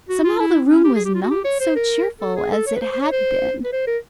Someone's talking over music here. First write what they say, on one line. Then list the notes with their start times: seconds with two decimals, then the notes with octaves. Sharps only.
Somehow, the room was not so cheerful as it had been.
0.09 F#4
0.24 F4
0.40 E4
0.70 C#4
0.85 G4
0.95 G#4
1.05 G4
1.15 F4
1.22 F#4
1.31 G4
1.45 C#5
1.60 C5
1.75 A#4
2.21 A4
2.36 G#4
2.52 A4
2.67 C#5
2.76 B4
2.81 C5
2.92 C5
3.02 C#5
3.12 C5
3.65 B4
3.72 C5
3.87 A#4